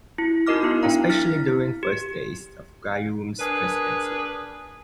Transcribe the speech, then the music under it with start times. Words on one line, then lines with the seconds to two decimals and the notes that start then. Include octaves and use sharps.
Especially during the first days of Gayoom's Presidency.
0.18 E4
0.47 D#4 F#4 A#4 D#5 D6 F6
0.63 B3 E4
0.83 D4 E4 F5 A#5
1.09 E4 F6 A6 B6
1.83 G4
3.39 D4 G#4 A#4 B4